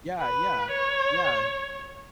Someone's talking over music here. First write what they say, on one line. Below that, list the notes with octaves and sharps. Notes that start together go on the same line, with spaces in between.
yeah yeah yeah, e
B4
C#5